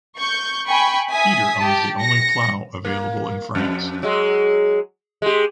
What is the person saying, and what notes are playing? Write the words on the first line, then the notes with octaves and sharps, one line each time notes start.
Peter owns the only plough available in France.
C#6 G6
G5 G#5 B5 C#6
E5 G#5 D#6 B6
G4 A5
A#6 C#7
A#3
F2
F#3 G#3
G#3 G4